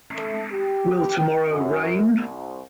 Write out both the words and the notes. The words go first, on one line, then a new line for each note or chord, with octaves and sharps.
Will tomorrow rain?
A3
G4
G5
F#2
C2